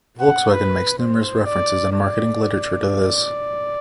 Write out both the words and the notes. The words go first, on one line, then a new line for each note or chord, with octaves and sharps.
Volkswagen makes numerous references in marketing literature to this.
F#5
B4
C5
D5
D5